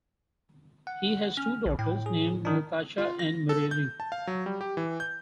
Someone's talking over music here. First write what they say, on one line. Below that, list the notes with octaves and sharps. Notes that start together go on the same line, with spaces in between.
He has two daughters named Natasha and Marielle.
F#5
C#4 F6
A#1
A2 G5
G#4
D#3 D4
F4
A#6
A4
G6
A5
F5
F#3
G3
G4
E3
G6